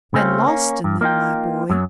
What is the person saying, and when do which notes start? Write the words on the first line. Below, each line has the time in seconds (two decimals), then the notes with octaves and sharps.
"And lost in them, my boy."
0.14 C#3 A3 C4 C#4 F4
0.47 A#3 C#4
0.84 G2
1.01 A#3 D#4 F4 G5
1.70 F#2 F#3